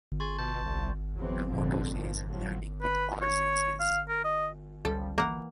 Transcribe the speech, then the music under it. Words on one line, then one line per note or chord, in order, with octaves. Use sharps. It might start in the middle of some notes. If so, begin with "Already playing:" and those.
The motto says: “learning with all senses”.
G#4 C6 C#6 A6
B2 A5 G6
C2
E2 F#3 C4
F1 A#1 F2 G#2 D3 C4
G2 D#3 F3
A2 C3 F3 F#3
B4
C#5
F5
A#4
D#5
C#2 F3 G3 A4
E3 A#3 F#5